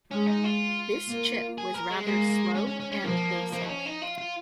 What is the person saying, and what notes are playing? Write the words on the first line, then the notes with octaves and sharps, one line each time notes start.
This chip was rather slow and basic.
G#3 C#4
D#4
F4
A#3
G#4
A#4
G#3
G#3 A#3
C#4
C#4
C#4
C#4
F3 A#3
A#3
D#4
C#4
D#4
F4
F4